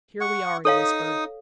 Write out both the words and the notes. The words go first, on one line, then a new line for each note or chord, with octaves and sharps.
"Here we are," he whispered.
F#5 C#6
D#4 A4 C#5 F5 D#6